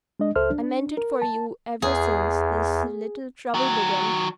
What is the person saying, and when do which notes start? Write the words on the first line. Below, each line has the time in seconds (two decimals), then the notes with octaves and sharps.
I meant it for you ever since this little trouble began.
0.20 G#3 D4 D#5
0.36 C#2 A4 C5 E5 F6
0.50 D4
0.97 A#4
1.22 A5
1.82 E2 G#4
3.54 D#3 F#3